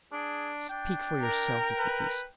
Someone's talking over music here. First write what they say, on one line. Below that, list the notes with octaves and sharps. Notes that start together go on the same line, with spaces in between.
Speak for yourself, if you please.
D4 G#4
D4 G5
A#4
B4